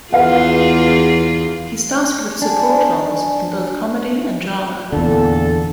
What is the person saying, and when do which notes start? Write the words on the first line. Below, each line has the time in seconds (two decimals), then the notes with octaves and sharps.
He started with support roles in both comedy and drama.
0.12 E2 F4 G#4 B4 F5 F#5
2.42 D4 D5 G#5
4.92 E2 A#2 D3 A4